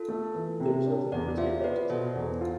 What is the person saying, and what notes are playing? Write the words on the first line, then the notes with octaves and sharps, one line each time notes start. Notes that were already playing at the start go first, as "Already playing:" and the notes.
There is nothing pretty about it.
Already playing: F4 A4
A3
E3
C3
D4
E2 B4 D5
F4 C5 E5
B3 B4 D5
B2 A4 C5
E2
F4